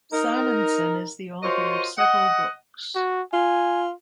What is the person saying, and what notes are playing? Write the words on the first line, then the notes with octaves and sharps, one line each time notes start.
Simonsen is the author of several books.
D#4 A#4
F4 F#4 A#4 C5 C#5 D#5
D#5 F#5
F#4
F4 G#5